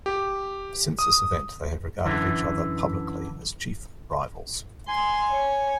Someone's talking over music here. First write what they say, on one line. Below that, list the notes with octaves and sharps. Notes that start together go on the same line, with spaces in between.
Since this event, they have regarded each other publicly as chief rivals.
G4
D#6
F#2 D3 E3
G#5 C6
C#5